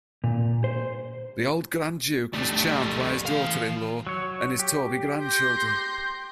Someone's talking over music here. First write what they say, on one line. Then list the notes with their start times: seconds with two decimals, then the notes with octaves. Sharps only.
The old grand duke was charmed by his daughter-in-law and his Torby grandchildren.
0.24 A#2
0.64 C5
2.33 G3 A3
3.26 E3 F5
4.07 F#3 C#5
4.60 G4
5.22 C6 G6 A#6